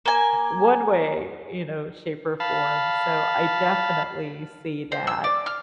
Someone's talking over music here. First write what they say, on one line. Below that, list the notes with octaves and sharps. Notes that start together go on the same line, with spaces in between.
One way, you know, shape or form, so, I definitely see that,
A#3 G#5
F5 A5 B5
C5
E6
D5
F6